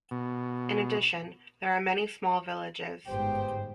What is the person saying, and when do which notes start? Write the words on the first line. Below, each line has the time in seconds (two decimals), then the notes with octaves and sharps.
In addition, there are many small villages.
0.11 B2
3.07 G1 G#2 C#3 G4 B4 C5 G5